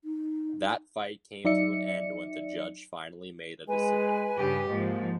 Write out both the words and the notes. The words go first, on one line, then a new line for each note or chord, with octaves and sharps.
That fight came to an end when the judge finally made a decision.
D#4
F#3 D#4 D5 E5 C#7
G#3 B4 G#5
G2 C#3 G4
G#2 F3 A#3